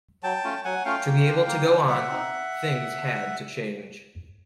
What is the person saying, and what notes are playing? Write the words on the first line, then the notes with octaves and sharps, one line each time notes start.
To be able to go on, things had to change.
F#3 G5 A5
A3 C#4 F4
F#3 F#5 G#5
A3 C#4 F4 F5 G5
A#3
D4 F4
A#3
D4 F4
G3 E5 F#5
C4 D#4